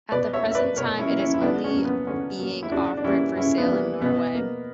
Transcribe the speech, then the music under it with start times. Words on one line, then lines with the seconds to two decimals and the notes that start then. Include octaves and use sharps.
At the present time, it is only being offered for sale in Norway.
0.12 B2 B4 D5
0.33 C#5 E5
0.45 A#3
0.51 E5
0.55 B4 D5
0.76 B2 A#4 C#5
0.99 C#4 E4
1.10 A#3
1.20 C#4 E4
1.34 E4
1.41 D3 B3 D4
1.64 C#4
1.74 F#3 A#3
1.85 B3
2.07 D3 C#4
2.39 F#3 A#3
2.63 E4
2.71 C#3 D4 F#4
2.97 D4
3.04 E3 G3 A#3 C#4 E4
3.36 C#3 C#4 E4
3.58 B3 D4
3.69 E3 G3 A#3
4.02 B2 B3
4.35 A#3